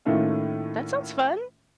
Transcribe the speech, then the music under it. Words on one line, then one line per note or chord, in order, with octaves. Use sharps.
That sounds fun.
A2 D#3 A3 A#3 C#4 F4